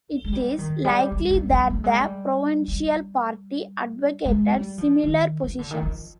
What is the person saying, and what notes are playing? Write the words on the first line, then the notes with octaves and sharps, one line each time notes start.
It is likely that the provincial party advocated similar positions.
G#3
G3
D#3
G3
G3
G3
G3
G3
G#3
G3
G3
G#3
G3
F3
D#3
F3
D3
D#3
F3